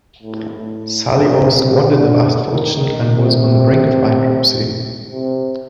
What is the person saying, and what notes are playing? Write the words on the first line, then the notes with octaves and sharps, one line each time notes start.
Sally Aw squandered the vast fortune and was on the brink of bankruptcy.
A2
A2
A#2
C3
D3
D#3
C3
C3